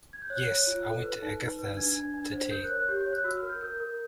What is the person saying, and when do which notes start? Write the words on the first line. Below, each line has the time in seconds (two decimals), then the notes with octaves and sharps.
Yes; I went to Agatha’s to tea.
0.13 G#6
0.22 G6
0.30 C#5 F#6
0.48 C#5
0.67 F4
0.86 A4
1.03 B4
1.22 D#4
1.41 B4
1.59 B4
1.77 D4 G#6
1.96 D4
2.14 D4
2.32 C5
2.51 A#4 G6
2.64 F#6
2.70 C#5
2.75 F#6
2.88 G4 G6
3.01 G6
3.06 C#5
3.13 F#6
3.24 F#4 E6
3.37 F6
3.42 A#4
3.49 G6
3.61 A#4 G6
3.80 A#4